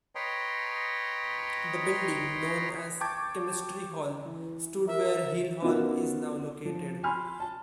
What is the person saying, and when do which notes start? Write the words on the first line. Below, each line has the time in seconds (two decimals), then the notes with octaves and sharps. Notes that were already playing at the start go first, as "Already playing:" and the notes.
The building, known as "Chemistry Hall," stood where Hill Hall is now located.
0.15 B4 C#5 D#5 G5 A#5 C6
3.01 G5 A5 C#6 D6 G6 G#6
4.25 E3
4.87 A#4 E5
5.62 B3 C#4 D#4 F4 F#4 A#4
6.65 F3
7.03 G#5 B5 C6 F6
7.40 A5